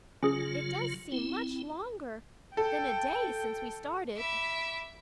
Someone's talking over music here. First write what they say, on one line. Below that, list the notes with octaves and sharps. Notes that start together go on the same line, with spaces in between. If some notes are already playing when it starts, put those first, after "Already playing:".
"It does seem much longer than a day since we started."
C#3 F#3 C#4 F4 G#4
C4 E4
A4 G5
E5 B5 D6